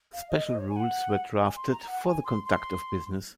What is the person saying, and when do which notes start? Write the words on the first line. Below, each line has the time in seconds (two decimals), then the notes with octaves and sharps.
Special rules were drafted for the conduct of business.
0.13 F5
0.29 D#5
0.45 D#5
0.55 C5
0.60 C#5
0.69 G#5
0.76 F#5
1.40 G#5
1.56 C6
1.72 A#5
1.87 F#5
2.03 G#5
2.24 C6
2.45 C6